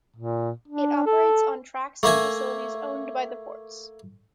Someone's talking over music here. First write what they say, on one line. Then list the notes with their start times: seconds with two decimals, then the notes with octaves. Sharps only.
It operates on tracks and facilities owned by the ports.
0.16 A#2
0.68 D4
1.06 A4
2.03 A3 A#3 E5 G#5